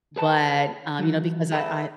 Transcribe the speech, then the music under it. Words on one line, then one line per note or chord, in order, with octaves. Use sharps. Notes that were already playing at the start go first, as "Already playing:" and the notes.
but, um, you know, because I I
G#4 B4 A5
E3 F#3
G#4 A4 B4 C5 E5